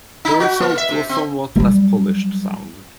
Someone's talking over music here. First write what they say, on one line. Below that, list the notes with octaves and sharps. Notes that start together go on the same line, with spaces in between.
The result was a somewhat less polished sound.
D#4
F#4
A#3
E5
C3
C4
F#3 G3